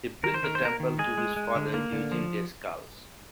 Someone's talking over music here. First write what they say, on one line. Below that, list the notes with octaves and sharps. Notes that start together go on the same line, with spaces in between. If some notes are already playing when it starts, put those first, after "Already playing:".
He built a temple to his father using their skulls.
D#3 A#4
C5
D#3 A#4
C5
A#3 A#4
D#3
G#3 G#4
G#3
G#3
D3
A#3
D3
F3